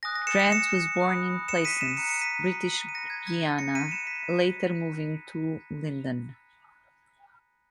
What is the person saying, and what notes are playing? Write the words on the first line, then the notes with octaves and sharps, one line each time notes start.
Grant was born in Plaisance, British Guiana, later moving to Linden.
G#5 D#6 F#6 A#6
A#6
C#7 E7
C#7 E7
C#7 E7
B5 D#6 F#6
C#7 E7
B6 D#7
C#7 E7
A#5 D#6 F#6 C#7 E7
C#7
B6 D#7
D#7
B5 F#6 A#6 C#7
G#6
A#6
A#6
A#6 C#7
B6 D#7
B5 F#6 C#7 E7
B6 D#7